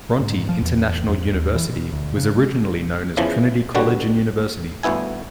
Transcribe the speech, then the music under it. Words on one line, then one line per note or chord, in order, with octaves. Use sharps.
Bronte International University was originally known as "Trinity College and University".
G#2
F3
E2
E2
F2
D#2
E3
B2
D2
C#3
G#3
E2 C#3 E3 F3
B2 D3 G3 F#4
G1 D2 B3 E4 G#5